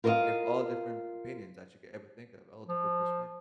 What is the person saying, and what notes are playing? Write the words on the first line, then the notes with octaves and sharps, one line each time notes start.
and diff all different opinions that you could ever think of, all different perspectives.
F4 A#4 C5 D5 D#5 F5
F3